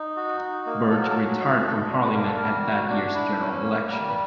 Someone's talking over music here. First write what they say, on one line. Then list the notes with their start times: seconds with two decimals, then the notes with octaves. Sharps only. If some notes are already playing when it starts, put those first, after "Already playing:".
Birch retired from Parliament at that year's general election.
Already playing: D#4
0.16 F#4
0.41 D#4
0.66 A#3
0.91 F#3 A4
1.02 A#4
1.10 A4
1.16 F#4
1.28 G#4
1.41 D#4
1.46 G4
1.58 G#4
1.66 F#4 A4
1.90 D4
2.03 B4
2.14 A#3 A#4
2.25 A4
2.36 G3 A#4
2.65 F#4
2.90 D4
3.15 E4
3.40 C#4
3.64 A#3
3.89 G3 A#4
4.08 B4